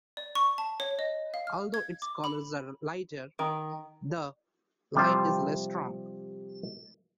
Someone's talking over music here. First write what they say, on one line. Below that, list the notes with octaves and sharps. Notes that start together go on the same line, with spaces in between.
Although its colors are lighter, the light is less strong.
D5
C#6
A5
C#5
D#5
F5
F6
G#6
D6
B5
D#3
C3 F3 G3 F4 G4 C5